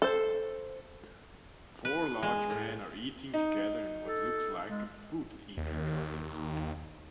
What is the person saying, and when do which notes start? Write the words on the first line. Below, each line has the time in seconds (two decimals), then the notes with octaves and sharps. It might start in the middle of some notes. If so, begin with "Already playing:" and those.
Four large men are eating together in what looks like a foodeating contest.
0.02 A4 C5
1.85 B4
2.22 G#3
2.50 A2
3.34 D#4
4.07 A4
4.68 G#3
5.57 D#2